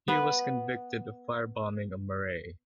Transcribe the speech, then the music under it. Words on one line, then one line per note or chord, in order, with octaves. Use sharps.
He was convicted of fire-bombing a marae.
B3 B4